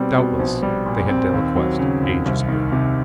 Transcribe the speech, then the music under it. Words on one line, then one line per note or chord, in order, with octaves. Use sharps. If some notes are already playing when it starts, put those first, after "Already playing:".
Doubtless they had deliquesced ages ago.
Already playing: B2 G3 C4
B2
A#1
G3
A#2
C4
D#2
F#3
C#3
D#2
C2
D#3
C3